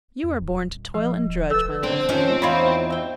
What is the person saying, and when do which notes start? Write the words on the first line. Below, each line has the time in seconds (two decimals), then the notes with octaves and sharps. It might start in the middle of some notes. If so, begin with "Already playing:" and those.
You are born to toil and drudge, my little friend.
0.23 F2
0.41 D#1
0.94 F3
1.29 D1
1.50 F1 A4 B4 E6
1.83 D3 C4
2.09 F2 D#3 C#4
2.42 E2 D#4 F4 C#5 B5
2.90 C4 G5